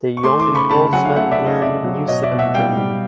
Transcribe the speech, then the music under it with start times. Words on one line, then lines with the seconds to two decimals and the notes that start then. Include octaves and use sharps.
The young Holzmann learned music in Germany.
0.17 C#6
0.23 A3 C6 D6
0.39 C6 D6
0.47 C#3
0.55 B5 C#6
0.69 C#3 A5 B5
0.93 F#3 F#5 G#5
1.05 F5
1.16 A3 E5 F#5
1.31 D5 E5
1.39 C#3
1.46 D#5 F5
1.62 C#3 D5 E5
1.85 F#3
2.08 B2 C#5 D#5
2.23 D5 E5
2.31 B2
2.38 E5 F#5
2.54 G3 F5 G5
2.77 G3